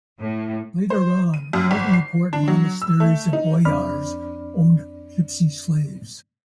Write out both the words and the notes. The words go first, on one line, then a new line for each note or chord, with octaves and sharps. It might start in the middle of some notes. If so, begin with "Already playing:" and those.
Later on, all the important monasteries and "boyars" owned Gipsy slaves.
A2
C5
D#7
F#2
G#1
C7
D4
F#3
E6
A3
D#4
F2 C4 D4 D5 B5 F6